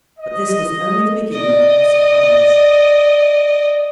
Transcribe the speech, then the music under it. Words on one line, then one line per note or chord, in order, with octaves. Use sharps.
But this was only the beginning of her surprise.
D#5
D5 D#5